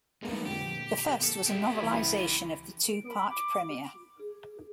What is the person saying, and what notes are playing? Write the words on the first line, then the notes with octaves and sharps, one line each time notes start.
The first was a novelization of the two-part premiere.
F2 A2 G#3 A#3 B3
F2 A#2 D3 G4
A4
E4 G4
C#2 E3 B5
D7
B5
D6
G#4